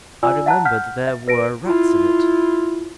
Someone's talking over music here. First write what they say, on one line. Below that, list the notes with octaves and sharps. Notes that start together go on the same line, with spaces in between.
I remembered there were rats in it.
F4 D5 G#5 E6
E5 F#5 A5 A#5 F#6
F#5 F6 G6 B6
E5
B4 A#6 D7
E4 F4